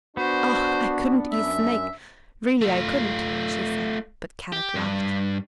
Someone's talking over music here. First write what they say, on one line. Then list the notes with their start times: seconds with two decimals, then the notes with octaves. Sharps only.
"Oh, I couldn't eat snake, really, I couldn't," she said, but Kadok laughed.
0.17 B3 D4 F#4 C5
1.32 F#2 E5
2.61 A3 F4
4.52 G4
4.75 G2